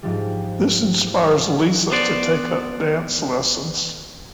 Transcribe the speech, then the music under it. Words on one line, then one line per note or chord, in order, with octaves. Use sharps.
This inspires Lisa to take up dance lessons.
G#2 F3 G3
B3 C5 D5